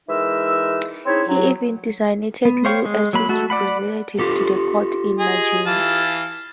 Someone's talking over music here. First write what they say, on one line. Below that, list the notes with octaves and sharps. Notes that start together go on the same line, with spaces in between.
He even designated Liu as his representative to the court in Nanjing.
E3 G#3 D#4 A#4 E5 E6
C4 C#4 D#4 E4 G#4 C#5
F#3
B3
C5 C#5 F5 G5 C#6
G#3
F#3 A#3 B5
A3 F#4 A4
D5 F#5 B5
F4 G4 A4
G#4 D#5
E3 F5 A5